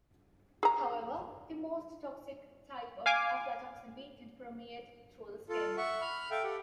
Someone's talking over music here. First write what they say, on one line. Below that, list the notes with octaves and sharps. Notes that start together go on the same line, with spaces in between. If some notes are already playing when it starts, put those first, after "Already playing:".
However the most toxic type of aflatoxin, B, can permeate through the skin.
G#4 A#5
F5 G#5 D6
F4 A4
E5 F#5 C#6
B5 F6
A4 E5 F5 G5
G4 A4 F#5